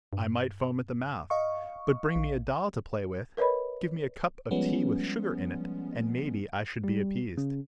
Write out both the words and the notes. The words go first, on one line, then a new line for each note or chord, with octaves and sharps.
I might foam at the mouth, but bring me a doll to play with, give me a cup of tea with sugar in it, and maybe I should be appeased.
G2
D#5 F5 C#6
A#1
A#4 B4 C#5 D#5 B5
F3 G3 G#3 B3 C#4
G3
C#3